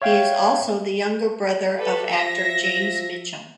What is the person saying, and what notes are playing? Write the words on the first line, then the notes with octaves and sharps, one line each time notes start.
He is also the younger brother of actor James Mitchum.
C#5 E5 F5 G5
G4 A4 B4
F3 E5 A#6